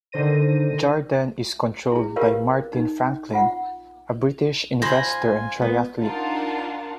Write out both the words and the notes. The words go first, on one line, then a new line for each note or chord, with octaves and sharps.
Jarden is controlled by Martin Franklin, a British investor and triathlete.
D3 D#3 C5 A#6 D#7
E4 G#4
F4 G4 A#4 B4 C#5 F5
D#4
F4 F#5
F4 C5 G#5 B5 A#6
B3
D4 D#4 F4 A#4 F#5 A5